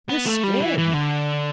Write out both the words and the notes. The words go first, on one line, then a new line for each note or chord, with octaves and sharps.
This scared me.
B3
A3
G3
E3
E3
D3